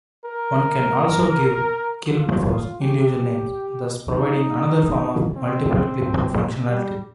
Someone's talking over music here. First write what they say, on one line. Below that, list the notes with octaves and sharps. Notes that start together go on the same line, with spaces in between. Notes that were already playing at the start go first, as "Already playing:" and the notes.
One can also give kill-buffers individual names, thus providing another form of multiple-clipboard functionality.
A#4
F4
G4
D#4
C4
G3